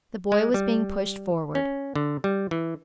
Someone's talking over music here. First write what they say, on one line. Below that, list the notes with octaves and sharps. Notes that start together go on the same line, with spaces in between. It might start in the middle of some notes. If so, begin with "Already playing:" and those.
The boy was being pushed forward.
G#3
G3
C#4
D3
G3
E3